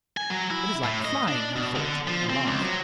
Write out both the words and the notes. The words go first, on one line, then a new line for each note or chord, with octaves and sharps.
"It is like flying," he thought and laughed.
G#5
F#3
E4
A2
D#5
D4
B2
D3
F3
C4
C#2
F#3